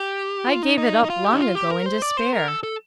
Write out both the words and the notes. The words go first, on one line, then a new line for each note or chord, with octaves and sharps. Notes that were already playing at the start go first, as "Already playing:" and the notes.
"I gave it up long ago in despair."
Already playing: G4
F4
D#4
D#4
D#4
F4
G4
D#4
F4
G4
A#4
C5
D5
C5
A#4
A4
A4